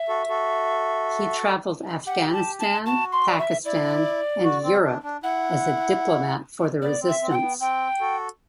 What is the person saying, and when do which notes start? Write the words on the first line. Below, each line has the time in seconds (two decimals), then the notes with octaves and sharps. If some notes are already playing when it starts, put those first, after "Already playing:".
He traveled Afghanistan, Pakistan and Europe as a diplomat for the resistance.
Already playing: E5
0.08 F#4 A4
0.29 F#4 A4
2.06 G4 F#5
2.33 A5
2.59 A5
2.86 F#4 A5
3.12 C6
3.28 D5
3.39 E5
3.65 E4 D5
4.44 F#4
4.64 C4
4.84 D4
5.03 D4
5.23 E4 F#5
6.82 B3 D5
7.01 C4
7.08 E5
7.22 C4
7.30 F#5
7.35 G5
7.41 B3
7.60 C4 G5
8.00 F#4 A4